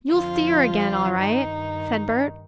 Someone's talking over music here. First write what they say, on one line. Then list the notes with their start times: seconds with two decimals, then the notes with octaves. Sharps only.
"You'll see 'er again all right," said Bert.
0.10 F2 D3 F3 F4
1.19 G2 D#3 D#4